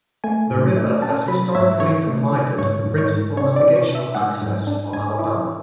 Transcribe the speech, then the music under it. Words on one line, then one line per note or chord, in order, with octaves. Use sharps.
The river has historically provided the principal navigational access for Alabama.
A3 G#5
A2
A3
C#4 A5
F#3 B5
G#2 E5
D3 C#5
A3
D3
G#2 C#5
G#2
C#5
G#2
D4 C#5
D5
E3
C#5
D4
E5
G#2 F#5
G#2
D4
G#2 G#5
E4